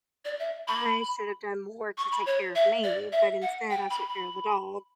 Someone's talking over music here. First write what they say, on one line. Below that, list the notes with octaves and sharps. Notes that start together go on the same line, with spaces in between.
I should have done more to take care of me, but instead I took care of the dog,
D5
E5
B5
C#6
B5
C#5
E5
D5
E5
F#5
G5
B5
B5